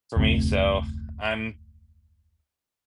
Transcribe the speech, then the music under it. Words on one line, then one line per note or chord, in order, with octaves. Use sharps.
for me, so, I'm
F1 D2 C3 A3